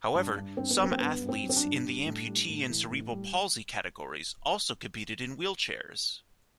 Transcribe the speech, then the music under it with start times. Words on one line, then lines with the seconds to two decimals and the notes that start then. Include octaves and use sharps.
However some athletes in the amputee and cerebral palsy categories also competed in wheelchairs.
0.15 G2 D4
0.36 G2
0.57 G2 C4
0.71 B3
0.79 F#3 C4
0.92 C4
1.01 G2 B3
1.21 G2
1.29 C4
1.43 F#3
1.49 C4
1.56 D4
1.64 G2
1.85 G3
2.06 A2
2.27 G3
2.49 A2
2.70 E3
2.90 A2
3.13 G3